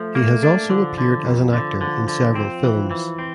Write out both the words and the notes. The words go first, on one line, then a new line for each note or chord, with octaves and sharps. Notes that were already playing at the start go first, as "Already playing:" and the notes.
He has also appeared as an actor in several films.
Already playing: F3 A3
A#3
D4
D3 F3
D3
F2
D3
D3
D3
F3 C4
E3
E3
C4